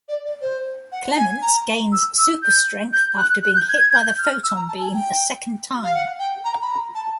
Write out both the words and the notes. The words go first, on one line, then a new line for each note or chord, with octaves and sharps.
Clements gains super-strength after being hit by the photon beam a second time.
D5
D5
C5
F#5
G#5
A#5
E6
E6
G6
G6
F#6
F#6
G6
G#6
G#6
G6
F6
E6
A#5
A5
G#5
G5
F5
F#5
G5
A#5
B5
A#5
A5